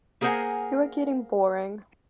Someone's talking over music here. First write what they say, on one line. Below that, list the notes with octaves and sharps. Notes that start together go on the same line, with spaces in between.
You're getting boring.
A#3 G#4 A#4 C5 F#5 G#5